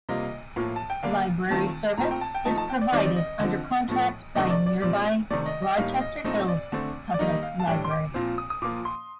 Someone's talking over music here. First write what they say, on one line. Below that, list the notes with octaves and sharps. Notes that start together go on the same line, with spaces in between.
Library service is provided under contract by nearby Rochester Hills Public Library.
C3 G3 A#3 F4 D#5
A2 F3 A#3 F4
A5
G5
D3 G3 A#3 D4 F5
D#3 A3 C4 F4 A5
A#2 A3 C4 F4 A#5
G5
A5
G5
F3 A3 D#4 A5
A5
G5
D5
D#3 G3 C4 D#4 D5
D5
D#5
D3 F3 C4
A2 F3 A3
C3 D#3 A3 D4 D#5
D5
D5
A#2 G3 C4 D5
C3 D#3 A3 D5
D#5
D#5
A2 G3 A#3 D#4 F5
D#5
A#2 A3 C4 D#4 D#5
D5
D3 A3 C4
D5
D#3 G3 A#3 D#4 D#5
F5
A5
A2 G3 D4 G5
C6
D6
A#2 F3 C4 F4
D#6
D#6
A#2 F3 A#3 D6
C6